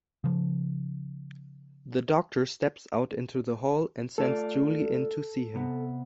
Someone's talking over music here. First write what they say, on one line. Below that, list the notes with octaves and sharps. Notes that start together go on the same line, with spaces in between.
The doctor steps out into the hall and sends Julie in to see him.
C#3 F3
A3 F4 A4 D5
C3 B3